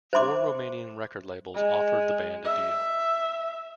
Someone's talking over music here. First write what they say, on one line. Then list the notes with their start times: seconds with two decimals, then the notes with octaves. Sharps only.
Four Romanian record labels offered the band a deal.
0.13 C5 E5 C6 D6
1.54 G#3
2.44 E5